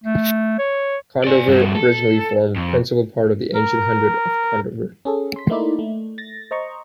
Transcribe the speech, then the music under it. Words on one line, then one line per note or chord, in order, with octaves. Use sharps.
Condover originally formed a principal part of the ancient Hundred of Condover.
A3
C#5
D5 G#5
G2 F#4
A4
F2
A#4
C#4 G#4 A4
C6 B6
A3 A#3 D#4 E4 D5
A3
A6 A#6
C5 D#5 A#5 C#6